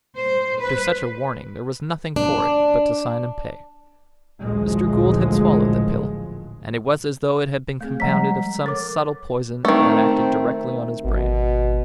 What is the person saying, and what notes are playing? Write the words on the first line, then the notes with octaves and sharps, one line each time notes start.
After such a warning there was nothing for it but to sign and pay. Mr. Gould had swallowed the pill, and it was as though it had been compounded of some subtle poison that acted directly on his brain.
C5
B4
D4
A1 D2 A#2 F3 F#3 G#3
A3 C4 G#4
F3 G3 G#3 F#5 A#5 B6
A4 A#4 C#5 D6 A6
D#3 A3 C4
G#1 B2